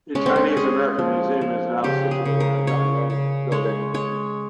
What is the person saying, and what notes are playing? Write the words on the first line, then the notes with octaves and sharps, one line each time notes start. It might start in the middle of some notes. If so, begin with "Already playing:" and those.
The Chinese American Museum is now situated in Garnier Building.
G#3 C#4
C4
C#4
G#3 G#4
F3
F3
C#3 G4
G#4
C#3
A#4
C#3 C#5
C#3
G#3 C#5
G#3 C#5